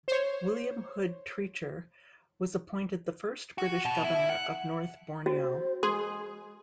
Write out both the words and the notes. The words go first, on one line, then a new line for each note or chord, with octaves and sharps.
William Hood Treacher was appointed the first British Governor of North Borneo.
C5 C#5
F#4
B2
E4
F#5
F#4 C5
G#3 G#4 C6